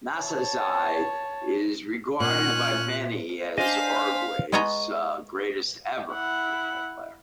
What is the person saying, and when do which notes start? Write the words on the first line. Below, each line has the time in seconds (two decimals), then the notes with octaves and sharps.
Nasazzi is regarded by many as Uruguay's greatest ever football player.
0.18 C#5 A5
2.20 A#2 C#4 F#6
3.58 D4 C5 D#5 F5 G#5 B6
4.52 G#3 B3 G#4 C#5 D#5 A#5
6.11 E4 F#5